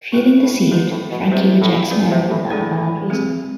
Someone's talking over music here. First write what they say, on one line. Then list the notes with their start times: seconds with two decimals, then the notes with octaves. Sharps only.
Feeling deceived, Frankie rejects Mary without a valid reason.
0.12 A2 G#3 B3 F4
0.42 A2
0.71 G#2 E3 G#3 C4 E4 B4
0.91 A2
1.11 B2
1.31 C3 C4 E4 G#4 D5
1.61 A2
1.90 C4 E4 G#4 B4 D5
2.11 C3
2.30 A2
2.50 A2 G#3 D4 G#4 D5
3.10 G#3 C4 G#4